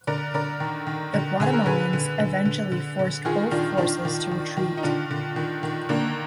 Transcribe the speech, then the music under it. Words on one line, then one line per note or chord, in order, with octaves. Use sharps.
The Guatemalans eventually forced both forces to retreat.
D3 A#4 D5
D3 A#4 D5
D#3
D#3
D3
D3 G#4
A#4
D3 G#4 B4
D3
D3
D3
D3
D3
D#3 F4 G#4
D#3 D4 F4
D#3 D4 F4
D#3
D#3
D#3
D#4
D3 D4 F4
D3
D#3
D#3
D3 A#3 D4